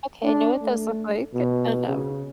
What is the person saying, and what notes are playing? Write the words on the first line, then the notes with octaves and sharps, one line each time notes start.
Okay, I know what those look like and, um
D4
A3
B2
C#3